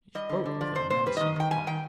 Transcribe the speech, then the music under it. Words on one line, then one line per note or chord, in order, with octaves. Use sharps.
He spoke with a menacing calm.
G3 D#5
D3
D3
F3 D5
C3 C5
C3 C5
G3 B4
D#3 D#5
D#3 G5
G3 G#5
D#3 G5